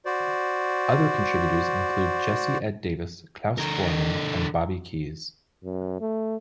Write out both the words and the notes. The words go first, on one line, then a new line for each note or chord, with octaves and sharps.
Other contributors include Jesse Ed Davis, Klaus Voormann, and Bobby Keys.
F#4 C5 D5
D3 A#4
F#2
A3